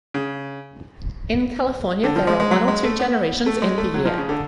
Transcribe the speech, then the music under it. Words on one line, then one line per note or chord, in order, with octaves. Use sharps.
In California there are one or two generations in the year.
C#3
D3
F3
G#3
G#3
F#3
G#3
A3
B3
A3
G#3
A3
F#3
F3
C#3
D3